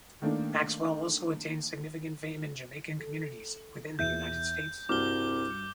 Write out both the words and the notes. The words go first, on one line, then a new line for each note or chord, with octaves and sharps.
Maxwell also attained significant fame in Jamaican communities within the United States.
D#3 A3 A#3 D4
A4
E2 E5 G6
C2 G2 F#4 D6 F6 G7